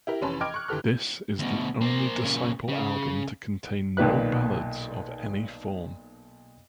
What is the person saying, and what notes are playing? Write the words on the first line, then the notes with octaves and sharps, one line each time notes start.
This is the only Disciple album to contain no Ballads of any form.
E4 G4 A#4
F1 E3 C#4 A5 B5 C6
D#5 G5 D6 F6 G#6 D7
C#6 F#6
G1 E3 G4 A4 F6 F#6
D2 B2
A#3 C5
A#2 C#3
C#3
B1 A#2 D#3 B4 F#6